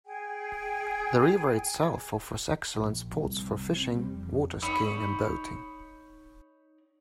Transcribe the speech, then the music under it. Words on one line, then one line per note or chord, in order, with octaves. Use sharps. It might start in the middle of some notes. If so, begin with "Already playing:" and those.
The river itself offers excellent spots for fishing, waterskiing and boating.
G#4 G5 G#5
A#1
C2
C4
G3
F2
D#4 C#5 B5 E6